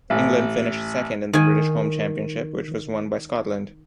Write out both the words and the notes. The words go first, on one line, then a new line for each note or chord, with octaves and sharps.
England finished second in the British Home Championship, which was won by Scotland.
A1
D#3 G#5